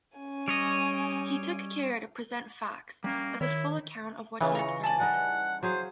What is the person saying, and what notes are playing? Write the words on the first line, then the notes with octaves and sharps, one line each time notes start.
He took care to present facts, as a full account of what he observed.
C#4 G#5
G3 C#5 D#5
G3 A#3 C#4
D#3 E4 C#5
C#3 E3 D#4 F4
A#5 C#6
D5 G#5 A5
G3 D#4 A#4 F#5
F#3 G#4 C5 F5